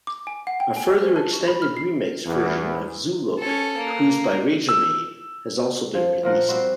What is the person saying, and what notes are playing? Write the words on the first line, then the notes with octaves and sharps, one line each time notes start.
A further extended remix version of "Zoolook", produced by Razormaid!, has also been released.
D6
G#5
F#5
G5
G#5
D#5
C5
A5
G4
B5
F6
C7
E2
C#4 A4
A#3
E6
F3
A#2 F3 A#4 F#5
G3 C4 F#4 C5